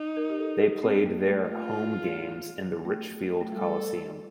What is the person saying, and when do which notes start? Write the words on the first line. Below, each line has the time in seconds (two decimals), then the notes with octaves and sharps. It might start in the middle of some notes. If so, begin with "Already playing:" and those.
They played their home games in the Richfield Coliseum.
Already playing: D#4
0.17 A#4
0.30 G4
0.39 A4
0.61 G4
0.83 C4
1.06 A#3
1.28 A3
1.50 A3 F4
2.85 A3
3.41 A3
3.52 G3 A4